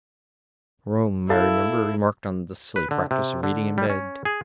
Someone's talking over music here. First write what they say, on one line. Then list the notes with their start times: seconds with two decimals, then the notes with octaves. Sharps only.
Rooum, I remember, remarked on the silly practice of reading in bed.
1.30 E4 A4 F5 A6
2.76 B4
2.91 D3
3.11 C3
3.43 D3
3.78 G3
3.89 C#4
4.25 G#4